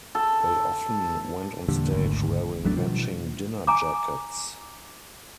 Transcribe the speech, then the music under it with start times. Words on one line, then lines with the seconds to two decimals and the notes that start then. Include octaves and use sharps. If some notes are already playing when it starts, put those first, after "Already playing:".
They often went on stage wearing matching dinner jackets.
0.15 A4
1.69 E2 A#2 D3 G3
1.91 G#1 D2
2.65 A1 F#3 A3 D4
2.77 B2 D#3 F3 G3
3.67 G#5 A#5 D6